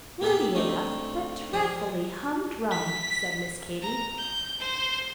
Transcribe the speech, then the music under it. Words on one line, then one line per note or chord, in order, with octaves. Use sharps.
"Worthy enough, but dreadfully humdrum," said Miss Katy.
A#3 B3 E4 G4 G#4 G5
A3 C4 D4 D#4
F3 D5 D#6
B6
A#5
G6
C5